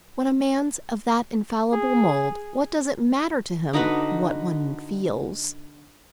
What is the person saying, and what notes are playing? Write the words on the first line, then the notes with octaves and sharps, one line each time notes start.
"When a man's of that infallible mould what does it matter to him what one feels?"
G#4
D3 D#4 F#4 B4